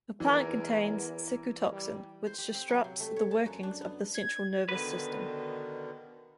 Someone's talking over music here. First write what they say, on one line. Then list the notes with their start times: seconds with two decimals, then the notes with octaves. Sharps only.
The plant contains cicutoxin, which disrupts the workings of the central nervous system.
0.20 E2 E3 A#4
1.72 G3
2.27 C5
2.38 G4
2.54 C4
2.69 F#3
2.84 C3
3.00 A3
3.16 C#5
3.31 A5
3.46 F#2
3.63 D4
3.81 B3
4.14 G#6
4.69 B2 D3 D#3 B4